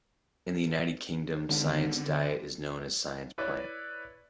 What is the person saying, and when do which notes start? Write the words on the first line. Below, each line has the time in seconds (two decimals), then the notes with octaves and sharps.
In the United Kingdom, Science Diet is known as Science Plan.
1.49 G#1 D3 D#3 B3
3.38 E4 B4 C#5 D5